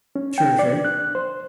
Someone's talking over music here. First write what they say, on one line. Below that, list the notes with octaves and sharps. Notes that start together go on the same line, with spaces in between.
Sure, sure.
C#4
G5
D5
D4
F#6
C5